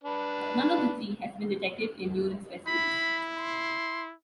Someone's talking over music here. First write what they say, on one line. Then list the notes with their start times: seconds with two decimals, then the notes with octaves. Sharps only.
None of the three has been detected in urine specimens.
0.04 D4 B4
2.67 E4 B5
3.36 C6